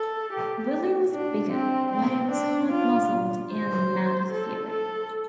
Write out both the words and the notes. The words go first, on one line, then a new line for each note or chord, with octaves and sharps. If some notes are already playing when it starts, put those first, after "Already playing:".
William was bigger, but he was hard-muscled, and mad with fury.
Already playing: A4
G4
D4
C4
C4
D4
F4
C5
A4
A4